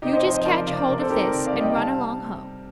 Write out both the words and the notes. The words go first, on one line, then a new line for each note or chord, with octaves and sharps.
You just catch hold of this and run along home.
C3 D#4 G4
C5 D#5
F3 C5 D#5
C5 D#5
F3 A#4 D5
C3 D5 F5
C3 A#4 D5
A4 C5
D#3 G4 A#4
A#4 D5
C3
D5 F5
G3
D#5 G5
C3 F5 A5